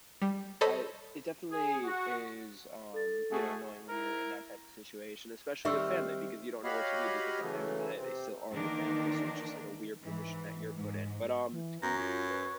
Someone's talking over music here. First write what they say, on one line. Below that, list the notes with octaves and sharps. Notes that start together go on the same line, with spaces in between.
I it definitely is, um, you know, annoying when you're in that type of situation, especially with family because you don't know what to do because at the end of the day, they still are your family, so it's just, like, a weird position that you're put in, but, um,
G3
A4 C5 C#5 D#5 A5 B5
G#4
F#4
A4 A6
A3 F#4 G#4
E4 A#4
D#3 G3 C4 E5 C#6 E6
F#4 G4 C#5 D#5 F5 B5
C#3 E3 F#3 A3
C3 C4
D#3 E3 A#3 D4 D#4 A#4
G#2 E3
G#2
E3
F#2 B3 A#5
F4 C#5
B4